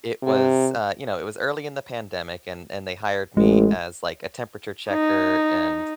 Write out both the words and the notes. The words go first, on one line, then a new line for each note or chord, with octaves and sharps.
it was, uh, you know, it was early in the pandemic, and and they hired me as, like, a temperature checker and,
C3
A1 G#3
D#4